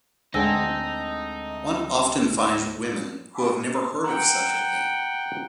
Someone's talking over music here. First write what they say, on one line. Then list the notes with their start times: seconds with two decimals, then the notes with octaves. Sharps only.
One often finds women who have never heard of such a thing.
0.34 D2 D3 G#3 C4 D#4 A5 E6 A#6
4.04 F#5 G5 A#5